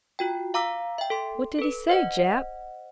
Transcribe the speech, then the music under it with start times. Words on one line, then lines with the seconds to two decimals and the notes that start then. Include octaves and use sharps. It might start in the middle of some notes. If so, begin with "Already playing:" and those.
"What did he say, Jap?"
0.19 F4 F#4 G5
0.54 F5 A#5 D6 E6 B6
0.98 E5 G5
1.10 A4 C6
1.59 A4 B4
1.89 C5 D#5 F#5